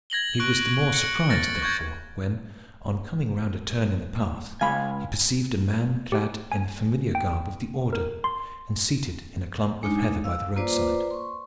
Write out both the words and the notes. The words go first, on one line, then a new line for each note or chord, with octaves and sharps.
He was the more surprised therefore when, on coming round a turn in the path, he perceived a man clad in the familiar garb of the order, and seated in a clump of heather by the roadside.
G#6 A#6 F#7 G7
C#6 F#6 D7
C#7
F6 A6 A#6
C#6 G6 G#6
C#2 G#3 F5 G#5 B5
G4
G#5
G5
A#4
C6
G#3 D4 D#4
F5 E6
A#3 F4 B4 C5 D5 D6
C6 C#6